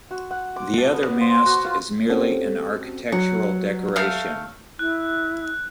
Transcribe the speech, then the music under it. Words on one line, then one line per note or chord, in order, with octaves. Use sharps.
The other mast is merely an architectural decoration.
F#4
F#5
D6
A5
B3
C5
F#4
F4
C4 C#4 F#4 G4 A4 C5
F#3 F#5
A3 F5
E4 F#6